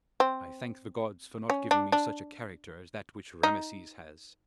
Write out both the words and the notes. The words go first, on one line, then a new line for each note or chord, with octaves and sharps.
I thank the gods for not giving me such a character as that which Rameses has.
C4
C#4
D4
D4
D#4